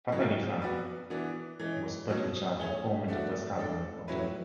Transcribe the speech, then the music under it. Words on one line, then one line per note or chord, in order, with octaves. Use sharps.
Fatali Khan was put in charge of forming the first cabinet of the republic.
A2 F#3 C#4
B3 F#4 B4 D5
E3 B3 D4 F#4
E3 G#3 C#4
B2 F#3 C#4
A3 C#4 G#4 C#5
A3 D4 F#4
G#3 D4 A4
A2 F#3 C#4 E4 B4